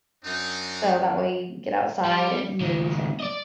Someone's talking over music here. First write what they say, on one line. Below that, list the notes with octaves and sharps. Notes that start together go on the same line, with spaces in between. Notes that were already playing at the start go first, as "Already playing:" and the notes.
So that way you can get outside and move, and
F#2 C4 D4 D#4
G3
C#2 D#3
D5 D#5